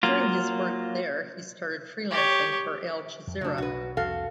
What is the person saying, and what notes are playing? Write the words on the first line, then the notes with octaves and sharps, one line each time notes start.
During his work there, he started freelancing for Al Jazeera.
F#3 A#3 F4
G4 C#5
F2
C#3 F#3 A3 D4
B1 F#4 B4
C2 F2 F#4 A4 F5